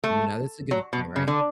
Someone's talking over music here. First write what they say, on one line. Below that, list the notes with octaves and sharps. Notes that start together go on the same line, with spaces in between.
um, you know, that's a good point, right?
A3
F#3
B2
C#3
D3